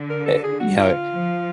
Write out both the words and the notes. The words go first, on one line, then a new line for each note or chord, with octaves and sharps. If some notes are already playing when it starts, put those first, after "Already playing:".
uh, you know, it
Already playing: D3
A#4
A4
G#4
F#4
F4
F3